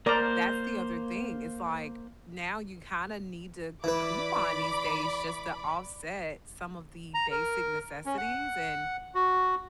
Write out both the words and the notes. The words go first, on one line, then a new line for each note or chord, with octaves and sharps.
that's the other thing, it's like, now you kinda need to coupon these days just to offset some of the basic necessities, and
A#3 A#4 C5 D5 A#5
E3 B4 D5 B5 D6
A#5
A#4
C#4
F#5
F#4